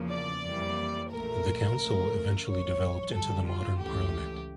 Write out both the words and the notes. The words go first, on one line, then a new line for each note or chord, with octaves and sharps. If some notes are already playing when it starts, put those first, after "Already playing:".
The Council eventually developed into the modern Parliament.
Already playing: E2 C#3 F3 A#3
D5
F2 E3 G3 A#3
A#1 A#2 A3 A#4
D2 C#3 F3 A3
A1 G2 F3 C#5
G2 D3 G3 A4
F4
C#2 C#3 E3 A3 G4